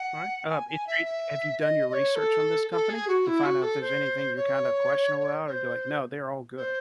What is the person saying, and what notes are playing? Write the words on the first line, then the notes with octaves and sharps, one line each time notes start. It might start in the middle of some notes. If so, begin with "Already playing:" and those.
All right, um, if re have you done your research on this company to find out if there's anything you're kinda questionable about, or do you like, "No, they're all good?"
Already playing: F#5
G#5
G#5
E5
E5
D#5
D#5
C#5
A4
A4
G#4
F#4
E4
F#4
A4
C5
C#5
C#5
C5
C5